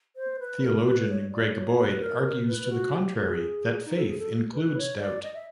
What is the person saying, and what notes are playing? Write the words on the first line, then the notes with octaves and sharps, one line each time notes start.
Theologian Greg Boyd argues to the contrary, that faith includes doubt.
C5
B4
A#4
B4
C#5
D5
C#5
B4
A#4
B4
F#4
G4
G#4
D#4
A4
G#4
A4
B4
C#5
D5
D#5
E5